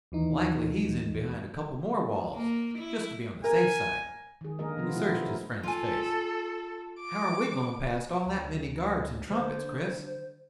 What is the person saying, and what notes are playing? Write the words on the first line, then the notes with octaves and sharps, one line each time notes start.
Likely he's in behind a couple more walls, just to be on the safe side." He searched his friend's face. "How are we going past all that many guards and trumpets, Chris?
D#2 E3 D#4
A#3
E4
A#4 G#5
D#3 G#4
D3 A#3 G#4 A#4 D#5
C3 D#3 F3 B3 F4
B2 D3 A3 E4 F4
A#2
A#4
F4 A4 G#5
D6
D2
D3 C5